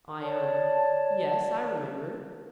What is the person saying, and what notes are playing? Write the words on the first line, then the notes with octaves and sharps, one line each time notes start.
ION: Yes, I remember.
C#5 D5 A5